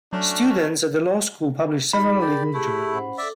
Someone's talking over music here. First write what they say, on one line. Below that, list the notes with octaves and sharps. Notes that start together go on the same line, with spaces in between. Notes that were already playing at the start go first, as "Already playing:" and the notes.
Students at the Law School publish several legal journals.
F#3 A3 C#4 D4 F#4
D#4 F4 G#4 B5
G4 G#4 A#4 D5
A3 E4 G4 G#4
C#4 C5 F#5
A4 D5 E5 D6